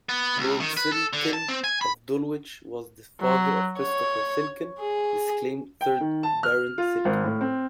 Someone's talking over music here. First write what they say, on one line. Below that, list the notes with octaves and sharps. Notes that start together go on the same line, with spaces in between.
Lord Silkin of Dulwich was the father of Christopher Silkin, disclaimed third Baron Silkin.
B3
C#2
D#3
B4
A4
D3
A5
C4
G#5
B5
F#3
C#5
G#4
G5
D#3
A5
F6
F4
G#1
A2
C4